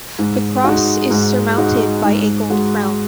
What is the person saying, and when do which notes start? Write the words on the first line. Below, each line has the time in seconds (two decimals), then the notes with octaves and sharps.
The cross is surmounted by a gold crown.
0.19 G#2
0.64 G#3 D#4 F#4
1.11 G#2
1.57 G#3 D#4 F#4
2.04 G#2
2.50 G#3 F#4